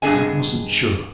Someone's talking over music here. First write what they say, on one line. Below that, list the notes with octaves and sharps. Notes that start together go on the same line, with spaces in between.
I wasn't sure.
G2 B3 D4 G#4 D#5 G#5